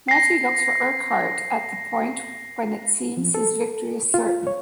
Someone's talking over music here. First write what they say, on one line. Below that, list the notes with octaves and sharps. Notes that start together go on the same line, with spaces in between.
Mattie looks for Urquhart at the point when it seems his victory is certain.
A#6 C7
F3
A4
F4
C#5